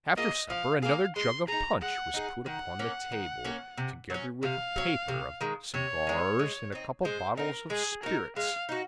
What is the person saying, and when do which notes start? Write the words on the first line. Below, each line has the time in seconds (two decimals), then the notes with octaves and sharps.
After supper, another jug of punch was put upon the table, together with a paper of cigars, and a couple of bottles of spirits.
0.17 A#3 F4 G#4 D#5
0.49 F3 F5
0.82 A#3 F4 G#4 F5
1.16 G#3 C6
1.48 D#4 G#4 A#5
1.81 G#3 F#5
2.14 D#4 G#4
2.46 D#3 F#5
2.79 A#3 C#4
3.12 D#3
3.45 A#3 C#4
3.78 C3
4.10 F#3 C#4
4.42 C3 F5
4.76 F#3 C#4
5.08 C3
5.41 D#3 G#3
5.74 C3 C#5
6.07 D#3 G#3
6.39 G#3
6.72 C4 D#4
7.04 G#3 C5
7.37 C4 D#4 A#4
7.70 G#3 G#4
8.03 D#4 F#4 A#4
8.36 G#3 F5
8.69 D#4 F#4